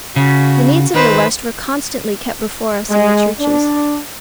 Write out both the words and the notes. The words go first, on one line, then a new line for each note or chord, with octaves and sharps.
The needs of the West were constantly kept before us in the churches.
C#3 F#4
D#3 B4 C5
G#3
D4